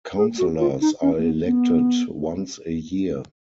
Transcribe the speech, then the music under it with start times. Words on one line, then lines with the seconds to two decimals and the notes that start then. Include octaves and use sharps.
Counselors are elected once a year.
0.18 G#4
0.38 F#4
0.60 F4
0.81 D#4
1.02 C#4
1.18 A#3
1.23 B3
1.45 B3